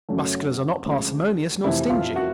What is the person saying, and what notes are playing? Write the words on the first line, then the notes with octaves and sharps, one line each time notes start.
Musculars are not parsimonious nor stingy.
F#2 C#3 F#3 A3
D2 C#3 F3 G#3
F1 F2 C3 E3 E4 E5
F4 F5
F#4 F#5